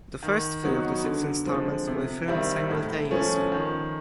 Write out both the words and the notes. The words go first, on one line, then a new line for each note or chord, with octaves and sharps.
The first three of the six installments were filmed simultaneously.
D#3
F#3 B3 D#4 F#4
D3
F3 G#3 C4
C3
D#3 G3 C4 E4
A2
F3 A3 C#4
D#3